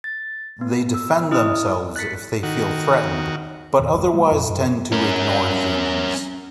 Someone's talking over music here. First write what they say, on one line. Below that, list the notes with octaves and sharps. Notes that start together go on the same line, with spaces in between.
They defend themselves if they feel threatened, but otherwise tend to ignore humans.
A6
B3
E6
E4 D#5 D#6 F6
F#6 A6 B6 C#7
D#3 F#4
E2 A#2 D#3
G1 E2 G2
F#3 G3 A3 A#3
F2 A#2
F#2
B2
C#4 A#4